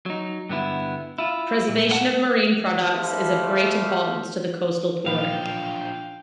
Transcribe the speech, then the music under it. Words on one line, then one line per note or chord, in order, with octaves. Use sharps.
Preservation of marine products is of great importance to the coastal poor.
F#3 D#4
G2 D3 B3 E4
E4 F4
A#2
A#2 A#3 B3 F#5 A5
G#3 A3 E4 G4 C5 F5
A#2 F3 D4 F4 F5 G5 B5